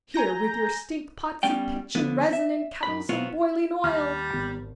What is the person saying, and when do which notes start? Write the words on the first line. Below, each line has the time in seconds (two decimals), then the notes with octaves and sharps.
Here with your stink-pots of pitch and resin, and kettles of boiling oil!
0.14 G#5 A#5 G6 A#6
1.43 G3 B3 C#4 D5 G5
1.95 D3 F3 B3
2.33 E5
2.83 F#2 B5
3.09 B1 B3 C4 F4 C#5
3.84 D#2 G3 A5 F6
4.33 G#1 D#3 B3 G4